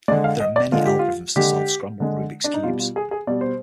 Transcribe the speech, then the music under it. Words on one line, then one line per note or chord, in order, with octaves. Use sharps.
There are many algorithms to solve scrambled Rubik's Cubes.
D3 G#3 D5
F5
D#5
D5
D3 G#3 F4
G4
F4
D3 G#3 G4
D3 G#3
D4
D#4
B2 G3 F4
F4
G#4
G#4
B2 G3 D5
C5